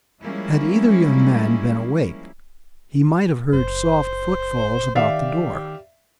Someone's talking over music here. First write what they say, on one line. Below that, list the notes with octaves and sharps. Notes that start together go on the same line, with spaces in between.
Had either young man been awake, he might have heard soft footfalls about the door.
F3 G3 G#3 A#3 C#4 E4
F#1 C5
D#3 G4 D5 E5 F5